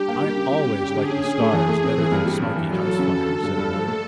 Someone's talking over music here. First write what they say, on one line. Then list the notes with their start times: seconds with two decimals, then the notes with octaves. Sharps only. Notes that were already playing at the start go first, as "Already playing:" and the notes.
"I always liked the stars better than a smoky house fire," said one.
Already playing: G3 D4 G4
0.08 A#3
0.22 G3
0.37 C#3
0.52 G3
0.66 C#3
0.81 C#3
0.96 D3 G#4
1.10 C#4
1.24 C#4
1.40 A3
1.53 E3
1.68 A3
1.83 C4
1.98 E3
2.12 G2
2.26 G3
2.42 G2
2.56 E3
2.70 F#3 A4
2.85 F#3
2.99 C#3
3.14 F#3
3.29 D3
3.43 G2
3.57 G2
3.73 F3
3.88 A3